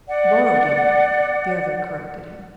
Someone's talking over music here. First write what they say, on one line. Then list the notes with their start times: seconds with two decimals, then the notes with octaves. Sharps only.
"Borodino," the other corrected him.
0.08 D5 F#5